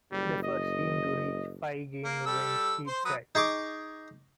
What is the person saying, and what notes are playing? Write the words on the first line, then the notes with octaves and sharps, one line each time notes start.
The first team to reach five games wins each set.
F#1 G3
D#5
A#3
G3 A4 E6
C5 C6
F#3 B4 D#6
D#4 G#4 C#6 D6